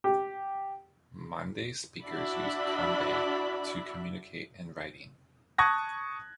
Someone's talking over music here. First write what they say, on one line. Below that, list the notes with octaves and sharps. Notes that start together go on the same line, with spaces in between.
Mande speakers use "kangbe" to communicate in writing.
G4
D4 E4 F#4 D5 E5 B5
A5 C#6 D#6 F#6 G#6 A#6